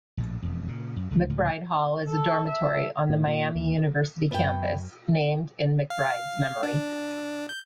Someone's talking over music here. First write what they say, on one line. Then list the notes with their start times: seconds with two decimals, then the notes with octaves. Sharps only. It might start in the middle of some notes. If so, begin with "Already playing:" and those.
McBride Hall is a dormitory on the Miami University campus named in McBride's memory.
0.17 A#1 A2
0.42 E1 F2
0.68 A#2 C#3
0.96 F#2
1.11 C#2 D3 E3 A3
1.29 C#2 A2 D3 F3
2.08 A4
2.48 E5
3.10 A2
3.27 A#2
3.55 D#2
4.31 F#2 B3 E5 G5
5.90 F5
6.63 D4
7.49 G6